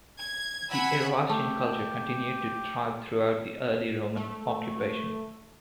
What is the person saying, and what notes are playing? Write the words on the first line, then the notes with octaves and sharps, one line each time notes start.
The Eravascian culture continued to thrive throughout the early Roman occupation.
G#6
F#5 G#5 B5 E6 G#6
A3 G4
A3